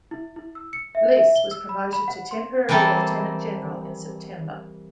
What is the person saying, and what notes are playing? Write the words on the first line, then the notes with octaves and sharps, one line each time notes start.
Leese was promoted to temporary lieutenant general in September.
E4
E4
E6
C#7
E5
E5
G7
E6
B5
B5
F#5
C6
E3 G3 A#3 C4 A4